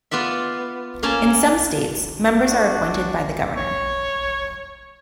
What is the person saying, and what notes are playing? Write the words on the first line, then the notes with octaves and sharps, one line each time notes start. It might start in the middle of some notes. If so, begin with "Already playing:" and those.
In some states, members are appointed by the governor.
B3 F4 D5 E5
A#3 C#4 G#5 A5
D4 F#4
C#5